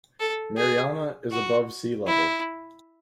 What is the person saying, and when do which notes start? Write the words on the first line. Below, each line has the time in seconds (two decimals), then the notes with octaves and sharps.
Marianna is above sea level.
0.20 A4
0.57 G#4
1.32 F#4
2.07 E4